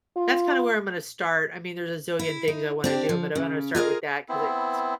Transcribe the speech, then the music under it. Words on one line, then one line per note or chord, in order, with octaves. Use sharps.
that's kinda where I'm gonna start, I mean, there's a zillion things I wanna do, but I'm gonna start with that 'cause it s
F4
E4
D#4
C4 D4 G4
F3
C#3
F4 G#4 A#4 D#5
B3 C4 E4